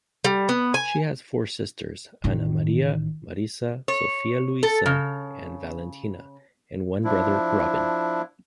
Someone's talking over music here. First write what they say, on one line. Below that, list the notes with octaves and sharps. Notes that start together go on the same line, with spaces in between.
She has four sisters: Anna Maria, Marisa, Sophia-Luisa, and Valentina; and one brother, Robin.
G3
B3
G#5
A1 D#3
C#5
A4
C#3
F3 D4 E4